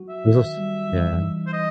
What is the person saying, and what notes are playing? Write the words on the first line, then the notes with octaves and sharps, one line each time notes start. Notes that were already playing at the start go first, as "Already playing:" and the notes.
This was Yeah.
Already playing: F#3 F#4
E5
D#3
G3
E3
D#4
C5
D#5